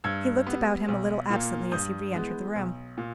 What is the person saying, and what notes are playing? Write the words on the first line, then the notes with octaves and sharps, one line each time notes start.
He looked about him a little absently as he re-entered the room.
G2 E6 G#6
G3 B3
B1
A#2 A#3
G2 D#6 G6
E3 G#3 B3
B1
A#2